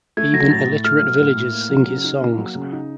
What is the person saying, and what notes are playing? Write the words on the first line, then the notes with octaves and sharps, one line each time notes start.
Even illiterate villagers sing his songs.
A3 G#6
F#3 A#6
A2 A6
A2
A3 F6
F#3
A2
A2
A#3
F#3
C#3
D#4
A#3
F#3
C#3
D#4